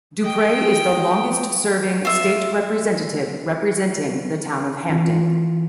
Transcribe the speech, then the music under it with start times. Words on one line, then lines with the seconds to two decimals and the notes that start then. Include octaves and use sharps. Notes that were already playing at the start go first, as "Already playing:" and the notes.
Duprey is the longest serving State Representative representing the town of Hampden.
0.22 D#5 G5
2.05 F4 E5
4.90 E3 F4